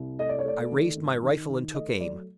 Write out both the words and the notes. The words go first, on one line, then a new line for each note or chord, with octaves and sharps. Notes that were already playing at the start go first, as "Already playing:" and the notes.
I raised my rifle and took aim.
Already playing: C2
A3 D#5
D5
C#5
A3 D5
D#3
G#1
D#3
D#3
A3 D#5
F#3 D5